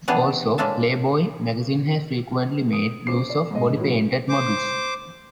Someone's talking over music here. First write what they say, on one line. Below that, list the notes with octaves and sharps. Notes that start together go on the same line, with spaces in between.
Also "Playboy" magazine has frequently made use of body painted models.
E3 B3 D4 G4 G#4
A2 G#3 A#3 D4 E5 A5
D#6
C#2 A#2 C4 D6 C7
D5
G#2 G#3 A3 D#5
A2 C#3 F#3
C5 D6